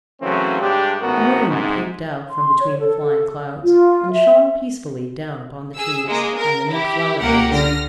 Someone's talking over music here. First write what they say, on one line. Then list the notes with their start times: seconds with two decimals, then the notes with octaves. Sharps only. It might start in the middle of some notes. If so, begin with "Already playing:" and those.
The moon peeped out from between the flying clouds, and shone peacefully down upon the trees and the neat flower-beds.
0.22 C#3 E3 F#3 A3 C4 C#4
0.61 G2 G3 G#3 D4 G4
1.01 A1 G#2 B3 F#4 A#4
1.49 G#2 C3 D#4
2.30 C6
2.58 C#5
2.79 A4
3.63 F4
4.13 E5
5.76 G#4 E6
6.08 G#3 A#3
6.36 A#4
6.70 E4 G4
7.21 C#2 A#3 G4 A#4 F#5
7.53 D3 F6 A#6